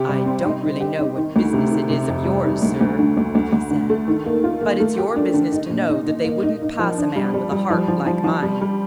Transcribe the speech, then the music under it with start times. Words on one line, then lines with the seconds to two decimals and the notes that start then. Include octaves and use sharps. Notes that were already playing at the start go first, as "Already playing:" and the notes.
"I don't really know what business it is of yours, sir," he said; "but it's your business to know that they wouldn't pass a man with a heart like mine."
Already playing: C3 G4
0.08 G3
0.26 C4
0.45 D#4
0.63 D#4
0.80 G4
0.99 D#4
1.17 D#3
1.36 D2
1.53 C3
1.71 D#3
1.90 C3
2.08 F2
2.26 G3
2.44 D#3
2.62 D2
2.81 D2
2.99 D3
3.17 D2
3.35 D2
3.52 D2
3.71 D3
3.90 A3
4.08 D#3
4.26 A#3
4.44 F4
4.61 A#3
4.80 A3
4.98 G4
5.16 D4
5.34 D3
5.52 D#4
5.70 A#2
5.89 D#4
6.06 D#4
6.24 A#3
6.43 D#4
6.62 D#4
6.79 F3
6.98 D4
7.16 G3
7.34 G3
7.51 G3
7.70 F3
7.88 F3
8.06 F3
8.24 F3
8.42 G3
8.61 G3